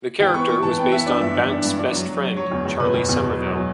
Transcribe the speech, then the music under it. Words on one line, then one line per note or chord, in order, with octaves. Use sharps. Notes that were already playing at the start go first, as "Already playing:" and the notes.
The character was based on Bancks's best friend, Charlie Somerville.
E3 G5
B3 C#6
B3 C#6
E3 A5
B3 G5
B3 E5
D4 D5
G2 E5
E3 D5
D4
G2
D4
F#3
F#3
F#3
F#3 C#5
E2
E2
B2 B4
E2
E2
B2
F#3
F#3